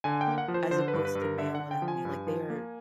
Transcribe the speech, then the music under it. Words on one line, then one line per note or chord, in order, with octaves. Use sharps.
as opposed to male anatomy, like, their
D3 G#5
G5
A#3
F#5
F3
C5
D3 C5
B4
G2
B4
G2
A#4
D3 E5
F#5
D3
G5
F3
G#5
G2
F3
A#3